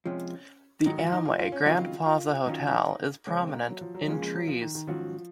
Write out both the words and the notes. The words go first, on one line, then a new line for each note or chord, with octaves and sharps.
The Amway Grand Plaza Hotel is prominent in "Trees".
C3 F3 G#3 C#4
G#2 D#3 F#3 D#4
F4
D#4
F4
F4
C#4
D#2 C#3 F#3 C4 D#4 F4
F4
F#2 D#3 F#3 C#4 D#4 F4
C#2 C#3 G#3 C#4
C4
A#3
F#3
F3
F#3
F2 C#3 F3 G#3 A#3 C#4
G#3
F#3
F3
D#3
D#3
G#2 D#3 F3 F#3 C#4 F#4